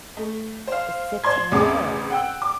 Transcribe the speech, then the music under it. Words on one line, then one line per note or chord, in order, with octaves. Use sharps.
The sitar.
A3
C5 F5
C5 D5 C6 G#6
A1 E2 C#3 C4 G#4 D6
F#5 G5 E6
D6